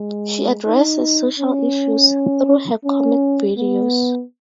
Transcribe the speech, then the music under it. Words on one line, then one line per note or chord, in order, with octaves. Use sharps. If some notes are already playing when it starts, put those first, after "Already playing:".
She addresses social issues through her comic videos.
Already playing: G#3
D#4
C#4
C#4
B3